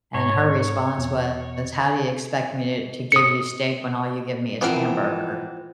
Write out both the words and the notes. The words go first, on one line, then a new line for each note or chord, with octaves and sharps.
and her response was, "How do you expect me to to give you steak when all you give me is hamburger?"
G#2 C#5 A#5
E2 B2
D#6 C#7
E3 F3 B3 C4 A#4